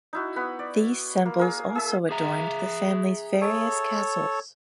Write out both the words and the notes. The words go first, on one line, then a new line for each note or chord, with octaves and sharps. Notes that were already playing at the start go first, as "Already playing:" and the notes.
These symbols also adorned the family's various castles.
D#4 E4 F#4
B3 F#5 B5
D5
A#3
G#4 A#4
G#4 E5
G#4 E5 A#5
A4 C#5